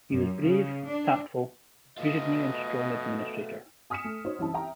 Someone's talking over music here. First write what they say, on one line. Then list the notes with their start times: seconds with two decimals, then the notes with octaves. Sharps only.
He was brave, tactful, visionary and strong administrator.
0.12 F#2
0.44 C#3
0.87 D4
1.98 B2 A3 F4 D#5
3.90 G#5 D#6 F6 B6 C#7 E7
4.04 A3
4.25 D#4 F#4 C5 C#5
4.39 C2 F#2 E3 E4 A5
4.54 E5 G5 A#5